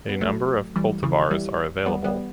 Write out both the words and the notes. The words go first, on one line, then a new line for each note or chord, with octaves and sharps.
A number of cultivars are available.
B3
F#3 A3
E3 G3
C#3 E3
E3 G3
G3 B3
G3 B3